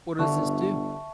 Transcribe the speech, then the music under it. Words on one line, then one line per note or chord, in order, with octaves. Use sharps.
What does this do?
G1 D3 E5 A5 C#6